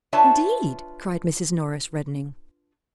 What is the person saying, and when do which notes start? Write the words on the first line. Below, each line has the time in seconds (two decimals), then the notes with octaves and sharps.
"Indeed!" cried Mrs. Norris, reddening.
0.13 D4 F4 B4 C#5 E5 A5